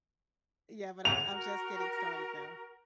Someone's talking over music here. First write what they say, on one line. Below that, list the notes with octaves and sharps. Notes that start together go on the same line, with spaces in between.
Yeah, but I'm I'm just getting started though.
C#5 F#5 F7
F#4 A#4